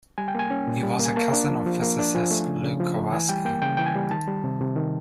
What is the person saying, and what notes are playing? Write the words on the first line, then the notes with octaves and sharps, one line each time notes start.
He was a cousin of physicist Lew Kowarski.
G3 G#5
G5
A#3 G#5
C#4
A#2
G3
A#3
G#5
A#3 A5
D4
F3
F3
A#3
D4
F3 G#5
A3
C#3
C#3
F3
A3
E3 G#5
G3 G5
A#3 G5
C#3 G5
E3 G5
G#5
G3
D#3 A5
G3
C3
C3
D#3